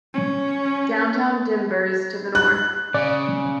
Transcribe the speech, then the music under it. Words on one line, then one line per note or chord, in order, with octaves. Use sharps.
Downtown Denver is to the north.
C#4
F#6
C#3 D5